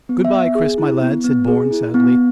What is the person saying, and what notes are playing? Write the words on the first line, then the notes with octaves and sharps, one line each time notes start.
"Good-bye, Chris, my lad," said Bourne sadly.
B3
E5
B3
G#4
E4
B3
B3
G#4
E4
B3